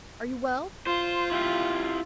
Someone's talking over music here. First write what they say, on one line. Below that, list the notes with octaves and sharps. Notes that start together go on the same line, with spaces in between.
"Are you well?"
F4 C5
E4 G4 F5